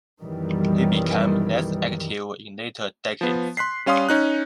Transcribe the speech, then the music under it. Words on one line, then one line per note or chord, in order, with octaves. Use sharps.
He became less active in later decades.
B1 F#2 D#3 E3 G3
F3 B3
C6 F#6 B6 C7
G3 C#4 F5 C6 D#6
C#4 D#4 F#6